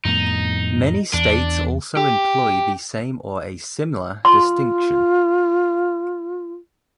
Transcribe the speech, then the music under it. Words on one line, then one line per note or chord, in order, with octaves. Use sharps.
Many states also employ the same or a similar distinction.
F2 A2 B3 D#4
E2 D4
G4
F4 C6